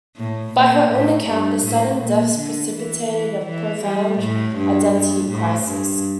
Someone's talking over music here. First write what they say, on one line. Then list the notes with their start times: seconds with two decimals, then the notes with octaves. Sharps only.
By her own account, the sudden deaths precipitated a profound identity crisis.
0.17 A2
0.54 A#2
0.90 A2
1.27 G2
1.64 A2
2.00 A#2
2.37 D3
2.73 E3
3.09 E3
3.46 E3
3.84 G3
4.20 A2
4.56 G2
4.93 G2
5.29 A2
5.66 G2